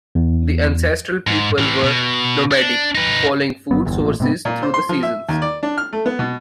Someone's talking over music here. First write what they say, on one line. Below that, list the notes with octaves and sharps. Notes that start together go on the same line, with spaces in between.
The ancestral people were nomadic, following food sources through the seasons.
E2
G#2
A2 E3
B2
D4
D#4 B4
G1 F#3 B3
G1 E2
A1 A#2
G#2 C3 B3
A#2
C5
C6
F3
E5
D#2
D5
D4
F6
A3
B3
B2